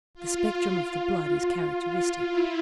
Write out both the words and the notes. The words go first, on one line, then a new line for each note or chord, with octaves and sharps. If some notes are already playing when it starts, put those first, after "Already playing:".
The spectrum of the blood is characteristic.
F4
E4